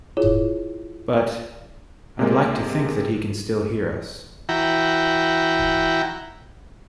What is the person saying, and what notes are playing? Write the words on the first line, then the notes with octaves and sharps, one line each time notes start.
But...I'd like to think that he can still hear us.
E4 F4 G#4 C#5
C3 G#3 A#3
E3 E4 F#4 G5 A#5